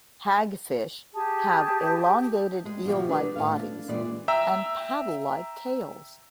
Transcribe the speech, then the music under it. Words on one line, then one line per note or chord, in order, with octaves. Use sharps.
Hagfish have elongated, eel-like bodies, and paddle-like tails.
G4 G#4 A5
G3 G#3
B2 E3 F3 F#4 G4
F#3 D4 D#4 G#4 B4 D5
D2 A2 B3 F5
D4
F#2 A#2 E3 G3 G#3 D5
E5 G5 A#5 E6